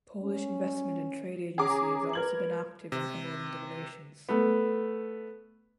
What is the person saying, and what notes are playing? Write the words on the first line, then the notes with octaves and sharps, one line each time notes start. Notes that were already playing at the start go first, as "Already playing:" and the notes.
Polish Investment and Trade Agency has also been active on promoting the relations.
C#4
C#4 G#4 A#5 D6
A#4 B4 G#6 F#7
C3
A3 B3